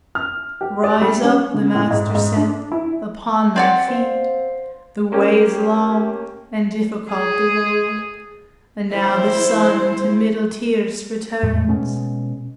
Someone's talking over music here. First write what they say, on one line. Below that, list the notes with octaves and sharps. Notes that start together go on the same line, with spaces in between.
"Rise up," the Master said, "upon thy feet; The way is long, and difficult the road, And now the sun to middle-tierce returns."
F6
G4
D5
G3
C#4
C#3
A2
G#2
G#2
D4
E4
C4 D5 F#5
C5 F5
A#3 C#4 G4
G#4
E4 C5
E2 A2 G#3
B2 G#3 C#4